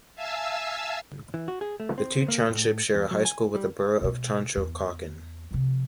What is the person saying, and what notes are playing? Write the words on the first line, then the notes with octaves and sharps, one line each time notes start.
The two townships share a high school with the borough of Conshohocken.
E5 F5 G#5 A5 E6
E3
F#4
G#4
A3
C4
A#3
A2
E2
F#3
G#5
G3
B2 G#3
E2
C3 F3